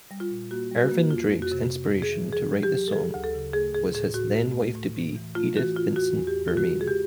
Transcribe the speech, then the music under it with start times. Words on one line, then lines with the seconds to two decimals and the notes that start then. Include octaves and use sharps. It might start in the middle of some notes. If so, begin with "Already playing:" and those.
Ervin Drake's inspiration to write the song was his then wife-to-be, Edith Vincent Bermaine.
0.11 G3
0.20 F4
0.30 A#2
0.51 A#3 F#4
0.71 G3
0.81 F#4
0.92 A#3
1.11 F2 F4
1.32 F2
1.42 F#4
1.52 C3
1.71 C3
1.92 F2
2.02 G#4
2.12 E3
2.32 F#3 G#4
2.53 F#3
2.63 G4
2.73 F#3
2.88 A4
2.93 F#3 G#4
3.14 D2
3.24 A4
3.34 C#3
3.54 A3 G#4
3.74 A2 G#4
3.94 A2 G#4
4.14 A2 F#4
4.34 A3
4.55 A3
4.75 A2
4.95 A2
5.16 E3
5.35 A3 F4
5.56 E3 F#4
5.76 A2 F4
5.96 E2 F#4
6.16 E2
6.27 G4
6.37 E2
6.48 F4
6.57 C#3 F#4
6.77 G#3 G#4
6.88 G4